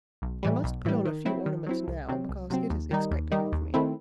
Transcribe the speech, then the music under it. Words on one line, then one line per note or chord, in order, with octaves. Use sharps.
I must put on a few ornaments now, because it is expected of me.
B1
A2 E3 G3
B1
A2 E3 G3
D#3
F#3 C4 E4
D#3
F#3 C4 E4
C2
C3 F#3 C4
C2
C3 F#3 C4
D#2
D#3 G3 D#4
D#2
D#3 G3 D#4
D#2
D#3 A3 C4 E4